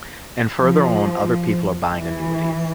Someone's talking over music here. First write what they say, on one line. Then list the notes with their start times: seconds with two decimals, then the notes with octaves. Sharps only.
And further on other people are buying annuities.
0.60 F3
1.94 E3